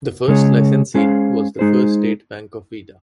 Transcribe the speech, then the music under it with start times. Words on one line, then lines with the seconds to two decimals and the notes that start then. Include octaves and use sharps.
The first licensee was the First State Bank of Vida.
0.28 C#3 G#3 C#4 G#4 C#5
0.94 G#3 C#4 G#4 C5 F5
1.59 G#3 D#4 G#4 C5